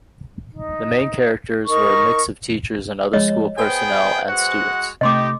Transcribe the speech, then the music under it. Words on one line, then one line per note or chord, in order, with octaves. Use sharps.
The main characters were a mix of teachers and other school personnel, and students.
D#4
D#4 A#4 C#6
F3 G#3 C#5 D#5
B3 G#4 B4 C5 G5 G#5
G#3 F#4 F#5
C3 A3 D#4 G4 D#5 C6 D6